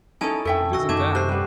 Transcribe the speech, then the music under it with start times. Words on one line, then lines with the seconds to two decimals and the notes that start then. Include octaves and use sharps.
"It isn't that."
0.21 C#4 D#4 E4 A4 C#5 G#5 A5 D#6
0.45 F2 A3 A4 E5 G5
0.73 B2 C#6 E6 A#6
0.89 F#2 D#3 A3 D6 G#6 E7
1.15 C3 C5 F#6 C7
1.29 G3 B3